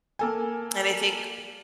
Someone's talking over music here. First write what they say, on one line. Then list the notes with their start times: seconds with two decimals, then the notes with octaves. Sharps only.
and I think
0.19 A#3 A4 G#5